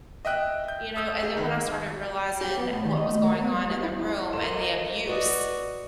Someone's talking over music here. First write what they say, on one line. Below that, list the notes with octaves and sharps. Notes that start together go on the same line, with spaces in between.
You know, and then when I started realizing what was going on in the room and the abuse
D#5 E5 G5 F#6
G6
D#6 E6 G6
G#4
D#3
G4
B3
A2
D#3
D#5
A3
A#4
B3
G3
G4
E4
A#3 A4 D#5 C6 E7
F#4 B4 D5 D#5 D#6